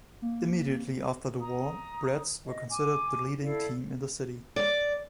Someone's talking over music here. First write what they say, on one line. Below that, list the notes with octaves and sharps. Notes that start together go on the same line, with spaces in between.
Immediately after the war, Bretts were considered the leading team in the city.
A#3
A#5 D#6
D#5
G#5 D6
E4 A4 D5 F5
D5